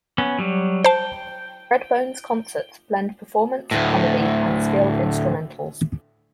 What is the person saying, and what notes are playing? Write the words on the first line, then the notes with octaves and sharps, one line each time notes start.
Redbone's concerts blend performance, comedy, and skilled instrumentals.
B3 C#4
F#3 G3
C5 G5 A5
D2 A2